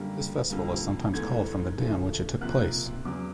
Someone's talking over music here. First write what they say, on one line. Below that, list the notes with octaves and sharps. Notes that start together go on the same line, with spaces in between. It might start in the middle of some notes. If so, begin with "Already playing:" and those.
This festival is sometimes called from the day on which it took place.
Already playing: F#2 D3 G3 A#3
F2 D3 G3 A#3
G#2 E3 A3 G#6
F#2 D3 F3 A3
C3 F3 A#3 F#6
E2 C#3 F#3 D6